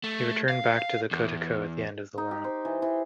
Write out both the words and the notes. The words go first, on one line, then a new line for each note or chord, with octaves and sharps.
He returned back to Kotoko at the end of the loan.
A3
F5
E2
D#4
G4
C5
E3
E3